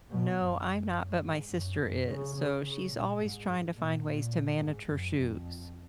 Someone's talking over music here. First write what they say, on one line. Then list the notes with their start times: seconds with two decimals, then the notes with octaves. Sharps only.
No, I'm not, but my sister is. So, she's always trying to find ways to manage her shoes.
0.10 B2
0.38 F#2
1.22 G#2
1.50 F#2
1.78 F#2
2.07 C#3
2.35 C#3
2.63 C#3
2.91 A#2
3.19 G#2
3.75 A#2
4.04 A#2
4.60 G#2
4.88 F#2
5.16 F2